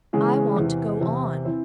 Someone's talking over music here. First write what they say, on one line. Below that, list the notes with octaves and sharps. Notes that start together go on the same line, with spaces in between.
"I want to go on."
C#3 E3 G#3 C#4 G#4
E2 C3 E3
E2 C3 E3
E3 C4 E4 C5